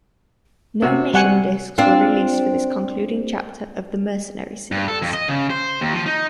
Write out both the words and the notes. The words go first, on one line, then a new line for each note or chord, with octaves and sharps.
No mission disks were released for this concluding chapter of the "Mercenary" series.
C3 F#4
G3 F#5 G#5
C4 D4 F4
G2
A4
F2
D#5
C#3
C5
D#2
F3
D#4